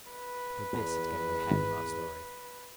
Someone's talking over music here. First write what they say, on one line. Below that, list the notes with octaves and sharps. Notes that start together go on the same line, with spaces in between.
But this is getting ahead of our story.
B4
E2
G#1